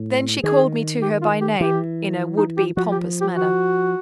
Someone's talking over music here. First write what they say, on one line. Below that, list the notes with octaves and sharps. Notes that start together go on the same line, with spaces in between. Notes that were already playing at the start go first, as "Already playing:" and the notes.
Then she called me to her by name in a would-be pompous manner.
Already playing: A2
D#3 G#4
G4
F4
G4
E3 G4
D#4
G4
F3 F#4
G4
G4
F#4